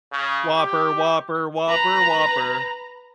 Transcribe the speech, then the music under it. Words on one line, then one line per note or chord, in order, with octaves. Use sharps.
Whopper, Whopper, Whopper, Whopper.
C#3
G4
B4 A#5